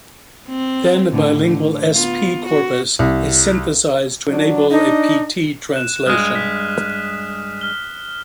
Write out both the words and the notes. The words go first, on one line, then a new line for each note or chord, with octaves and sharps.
Then a bilingual s-p corpus is synthesized to enable a p-t translation.
C4
A2 D3
D3
B3 F4
F#4
C2
F#3 D4
D4 D#4
F#6 E7
G2 G#3 D#6 F6 F#6
B6
F6 G7